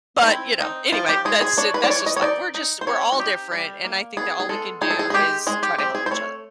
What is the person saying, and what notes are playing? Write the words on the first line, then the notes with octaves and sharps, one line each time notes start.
But, you know, anyway, that's ju that's just life. We're just we're all different, and I think that all we can do is try to help each other.
D#4
C4 E4
C4 D#4
F3 F4
G4
G#3 G#4
G#4
D4 C#5
B4
D5
E3 C#5
D#5
C#5
D#4 D5
D#4
C5
C4 C#5
F#4
D#4 G4
G3
A#3
B3 G#4
G#4
G#3 A4
D#4 G#4
A4
G#4
G#4
G#3 G4
G#3 G#4
G4
C4 G4
G#4
C5
A3 C#5